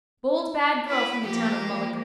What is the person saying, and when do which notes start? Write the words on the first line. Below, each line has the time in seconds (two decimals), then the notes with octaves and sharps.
Bold bad girl from the town of Mullingar.
0.87 E4 B4
1.24 F3 A#3 G4